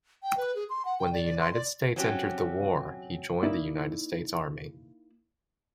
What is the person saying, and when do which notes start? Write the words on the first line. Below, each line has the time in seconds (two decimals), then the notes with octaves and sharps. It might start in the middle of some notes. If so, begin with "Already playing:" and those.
When the United States entered the war he joined the United States Army.
0.23 G5
0.37 B4
0.55 G#4
0.70 C6
0.85 F#5
0.99 G5
1.13 D5
1.25 D5
1.40 C6
1.54 D5
1.96 F#3 C4 C#4 G4
3.43 A#3 D#4 E4 D5